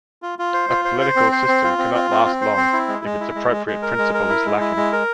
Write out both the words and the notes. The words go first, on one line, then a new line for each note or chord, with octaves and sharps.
A political system cannot last long if its appropriate principle is lacking.
F4
F4
C5
F4
C5
C5
C4
C5
C4
F4
C4
F4
C4
C4
C5
C4
E4
G#3
G#3
E4
G#3
G#3
G#3
A#4
G#3
A#4
E4
G#3
E4
G#3
A#4